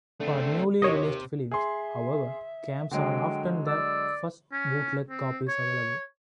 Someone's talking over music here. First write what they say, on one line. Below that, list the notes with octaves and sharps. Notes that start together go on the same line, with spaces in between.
For newly released films, however, cams are often the first bootleg copies available.
D3 A3 C4
D#2 C3 C#5 D#5
G#4 E5 C6
D3 F#3 G#3 G5
D5 E6
C#4
C4
C#5